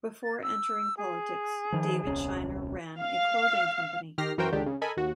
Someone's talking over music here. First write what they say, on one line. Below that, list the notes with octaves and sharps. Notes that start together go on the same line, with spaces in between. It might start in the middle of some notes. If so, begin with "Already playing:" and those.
Before entering politics, David Shiner ran a clothing company.
A6
E6
G#4
D#3 F3
D#1 C2 C#4
F5
D#3 G4 F6 A#6 C7
F#2 E3 F#4 A#4 C5 G5
C#2 D3 D#3 D4 G4
C#3
A4 A#4 D#5 G#5 B5
D#2 F#4